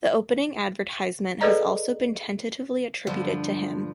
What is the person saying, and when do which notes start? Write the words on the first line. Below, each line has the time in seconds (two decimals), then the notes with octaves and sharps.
The opening Advertisement has also been tentatively attributed to him.
1.41 G#4 A4 B4 D5 D#5 A#5
3.07 G2 D3 F3